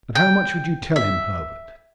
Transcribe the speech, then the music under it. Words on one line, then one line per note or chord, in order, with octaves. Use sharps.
"But how much would you tell him, Herbert?"
G5
E5